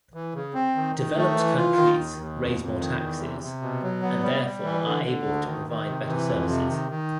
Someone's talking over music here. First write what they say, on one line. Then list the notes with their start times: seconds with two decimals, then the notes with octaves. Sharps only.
Developed countries raise more taxes and therefore are able to provide better services.
0.14 E3
0.34 C#3
0.54 C4
0.75 D#3
0.95 D#3
1.16 A3
1.36 E3
1.57 F4
1.76 D#3
1.97 D#2
2.18 D#2
2.39 F2
2.60 F2
2.79 D#3
3.00 E2
3.20 C3
3.41 C3
3.62 B2
3.82 F#3
4.02 B3
4.22 G3
4.44 G3
4.63 E3
4.85 D3
5.05 D3
5.26 D2
5.45 D#3
5.67 D#3
5.87 C3
6.07 E3
6.28 F2
6.48 C3
6.69 D#3
6.89 D#3